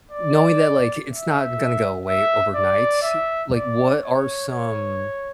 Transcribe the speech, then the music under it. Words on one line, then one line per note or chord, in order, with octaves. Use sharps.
knowing that, like, it's not gonna go away overnight, like, what are some
D5
E5
E5
D5
E5
D5
C#5
C#5